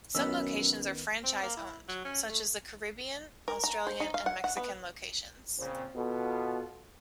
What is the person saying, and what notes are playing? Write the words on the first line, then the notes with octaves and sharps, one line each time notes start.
Some locations are franchise owned, such as the Caribbean, Australian, and Mexican locations.
F#2 D#3 B3 C#4 E6
C4
A#3
E4
F#3
C#4
A3
A#4
A#5
C5
D#4
F5
F#5
F#5
B3
A#2 C#3 C4
B2 B3 F4 A4